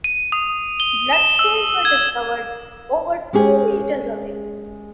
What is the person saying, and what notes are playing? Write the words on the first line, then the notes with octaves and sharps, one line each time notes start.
Bloodstains were discovered over two meters away.
D#7
D#6
G7
E7
E6
G#6
G#3 C#4 G4 G#4